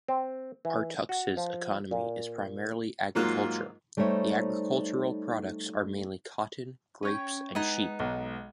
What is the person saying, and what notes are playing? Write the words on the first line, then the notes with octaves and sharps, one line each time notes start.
Artux's economy is primarily agriculture, the agricultural products are mainly cotton, grapes, and sheep.
C4
E3
F#4
F3
A#2
G#2 F#3 A#3 F4 F#6
G3 A3 D#4 C5 C#5 E5
C#4 B4 C#5 G5
G#3 B3 D#4 D#5 G#5
B1